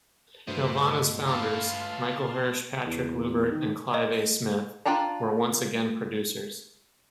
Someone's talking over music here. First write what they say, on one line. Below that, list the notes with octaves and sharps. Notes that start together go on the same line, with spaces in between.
Nelvana's founders-Michael Hirsh, Patrick Loubert and Clive A. Smith-were once again producers.
G2 B2 A3 B4 C5
F4 B4 A5 C6 F6
E2
D#3
D#5
D4 F4 G5 A5 A#5